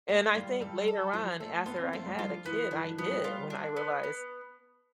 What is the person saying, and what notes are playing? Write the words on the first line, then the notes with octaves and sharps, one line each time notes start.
and I think later on after I had a kid, I did when I realized
A3 D5
G3 F4
G3 A4
A4
F3 F4
A3 A4
B3 F4
C4
A3 F4
G3
F3 F4
E3 B3
E3 D4
E3
F3 B3
G3
F4
D4
B3
B3